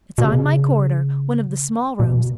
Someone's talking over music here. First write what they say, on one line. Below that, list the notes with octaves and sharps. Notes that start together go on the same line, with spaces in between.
It's on my corridor--one of the small rooms.
B2
C#3
B2